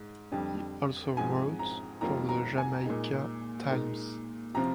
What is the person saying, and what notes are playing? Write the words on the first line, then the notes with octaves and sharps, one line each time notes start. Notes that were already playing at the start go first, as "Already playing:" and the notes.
He also wrote for the "Jamaica Times".
Already playing: G#2
F2 D3 G3
G#2 F3 C4 G#5
A#5
F2 D#3 G3 A#3 F4 A#5
A#5
G#5
A#2 G#3 D#4
A#2 G#3 D#4
C3 F3 C4 F4 A#5